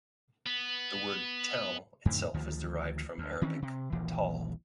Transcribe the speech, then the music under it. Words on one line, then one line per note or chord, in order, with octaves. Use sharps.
The word "tell" itself is derived from Arabic "tall".
B3
F2 A2 D3 D#3
D2 D#3 F3
D2
D#3 E3 C4 C#4
C3
D#1 A#1 D#2 E3